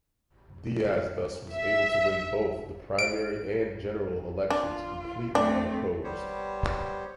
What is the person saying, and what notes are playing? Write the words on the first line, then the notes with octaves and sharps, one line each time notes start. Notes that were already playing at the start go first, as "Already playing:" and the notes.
Diaz thus was able to win both the primary and general elections completely unopposed.
E5
D7
D4 F4
A3 C4 D4
G3 B3 G4 C5 C#5